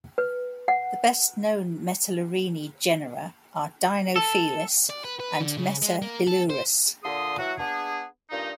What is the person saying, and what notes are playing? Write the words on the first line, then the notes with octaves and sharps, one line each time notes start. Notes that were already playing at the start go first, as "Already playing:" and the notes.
The best known Metalurini genera are "Dinofelis" and "Metailurus".
B4
F#5
A4
D5
B4
B4
D3
C#3
G#3
A#3
A4
C5
A#2 D3 C6 D#6
E3 F#3 F#4
B3 D4 G#4
G2 A#2 D#4